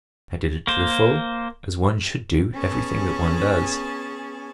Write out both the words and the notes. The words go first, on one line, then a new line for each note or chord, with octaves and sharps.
I did it to the full, as one should do everything that one does.
A#3 C5
B3 C#4 G#4 G#5 A5